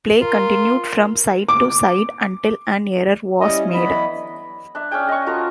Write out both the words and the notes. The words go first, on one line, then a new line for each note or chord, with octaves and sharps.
Play continued from side to side until an error was made.
F4 A#4
D6
G3 C#4 E4 D#5
D3 E3 F#3 B3 E4 D#5 B5
D4 E5
C#4 D4 G#4 G5
D#5 C#6
F3 F#4 A4 A#5